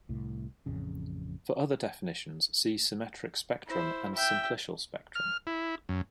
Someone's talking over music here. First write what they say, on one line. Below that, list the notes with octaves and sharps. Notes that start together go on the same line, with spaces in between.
For other definitions, see symmetric spectrum and simplicial spectrum.
C2 A2
A1 F2 C#3
E4 C5
E5 G5
F6
E4
F#2